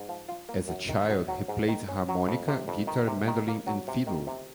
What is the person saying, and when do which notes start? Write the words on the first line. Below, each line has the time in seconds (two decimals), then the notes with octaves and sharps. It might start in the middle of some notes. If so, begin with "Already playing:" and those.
As a child he played harmonica, guitar, mandolin and fiddle.
Already playing: G#2
0.09 F3
0.29 F4
0.49 A#3
0.68 F#2
0.89 D#3
1.09 F#2
1.28 F#3
1.48 G#2
1.68 D#3
1.88 C#4
2.09 F#3
2.28 F2
2.48 C3
2.68 F2
2.87 D#3
3.07 C3
3.27 D#3
3.48 A#3
3.67 F#3
3.88 C3
4.07 D#3
4.27 C3